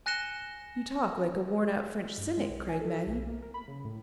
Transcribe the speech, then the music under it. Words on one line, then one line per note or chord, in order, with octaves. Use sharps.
"You talk like a worn-out French cynic," cried Mattie.
G#5 F#6 A#6 C#7 E7 G7
G2
G#3
B1
G#5
A4
A4
B1
A#3
A#4
B5
C#3
A2